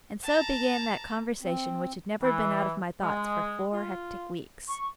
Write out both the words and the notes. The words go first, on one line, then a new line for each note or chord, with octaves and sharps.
And so began that conversation which had never been out of my thoughts for four hectic weeks.
A5 A#5
C4
E3
G#3
F4
C#6